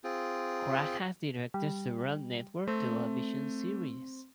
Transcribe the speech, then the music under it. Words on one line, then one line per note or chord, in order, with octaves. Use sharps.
Cragg has directed several network television series.
C4 F4 G#4
G3
A3 C4